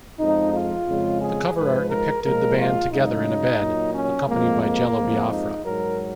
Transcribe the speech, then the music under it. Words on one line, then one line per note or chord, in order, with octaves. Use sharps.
The cover art depicted the band together in a bed, accompanied by Jello Biafra.
F2 F3 G#3 D#4
F4
F2 C#3 G#3
G#4
G#2 F3 G#3 B4
A#4
A#2 F3 G#3 A#4
F4
F#2 C#3 G#3 D#4
A#2 F#3
C#4
F2 F3 G#3 A#3
A#3
F2 F3 G#3
D#4
G#2 F#3 A#4